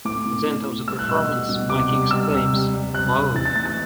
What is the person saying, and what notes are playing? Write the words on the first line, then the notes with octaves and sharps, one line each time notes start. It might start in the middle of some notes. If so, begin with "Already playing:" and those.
At the end of the performance Micky exclaims, Whoa!
A2 D6
A2
A2
A2
G3 E6
F#6
B2 E6
G3
B2
C3 D6
G3
G3 E6
C3
G3
G3
C3 F#6
C3
E3 A6
A6
A2 A6
A6